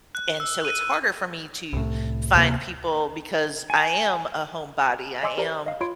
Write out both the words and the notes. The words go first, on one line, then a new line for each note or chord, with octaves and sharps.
and so it's harder for me to find people because I am a homebody, I am
F#6
E6
D#7
C2 A2
D2 C3 A#3
G#5
D#5 G#5 C6 D6 E6
G4 A#4 C5 D5 A#5
D#5 F5
F4 C#5 B5 C6 D7